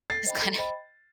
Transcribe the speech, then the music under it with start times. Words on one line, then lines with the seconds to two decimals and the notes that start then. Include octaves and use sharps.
he's gonna
0.10 A4 A6 C7
0.26 C5 D#5 G5 B5
0.42 A4
0.58 C5 D#5 G5 B5